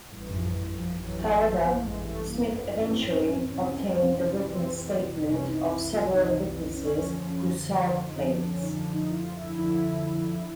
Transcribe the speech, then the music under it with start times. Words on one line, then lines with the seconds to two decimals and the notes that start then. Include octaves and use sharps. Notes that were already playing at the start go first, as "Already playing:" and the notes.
However, Smith eventually obtained the written statement of several witnesses who saw the plates.
0.12 A1 G2 E3
0.33 F3
0.76 F3
0.98 A1 G2 E3 F#3
1.63 B3
1.70 A#3
1.77 A3
1.84 A1 G2 E3 G#3
2.05 A3
2.27 A#3
2.48 B3
2.70 A1 G2 E3 C4
2.80 C#4
2.91 C4
3.02 C#4
3.13 C4
3.24 C#4
3.35 C4
3.46 C#4
3.56 C2 C3 E3 C4
3.68 C#4
3.79 C4
3.90 C#4
4.01 C4
4.11 C#4
4.23 C4
4.34 C#4
4.42 C2 C3 E3 C4
5.21 D4
5.28 C2 C3 E3 C#4
5.49 D#4
5.71 E4
5.92 F4
6.13 C2 C3 E3 D#4
6.71 C#4
7.00 D2 D3 F3
7.86 D2 D3 F3 D4
8.07 D#4
8.29 D4
8.50 C#4
8.61 D#4
8.72 D2 D3 F3 D4
8.93 D#4
9.10 E4
9.15 F4
9.36 E4
9.57 D2 D3 F3 E4